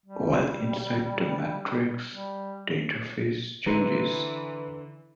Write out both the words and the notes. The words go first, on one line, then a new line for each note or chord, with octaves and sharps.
While inside the Matrix, the interface changes.
G3
G3
D3 E3 B4 A#5 C6 D#7